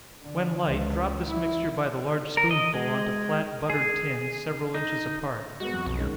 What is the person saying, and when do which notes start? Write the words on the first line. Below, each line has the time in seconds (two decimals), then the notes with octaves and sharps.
When light, drop this mixture by the large spoonful on to flat, buttered tins, several inches apart.
0.24 D3
0.70 C#2
1.28 E4
2.37 A#4
2.51 D#5
2.74 G#3
3.70 G#4
4.74 D#4
5.60 G#3 B3 F#4
5.73 F2
5.86 B1
5.99 D#3 G#3 C#4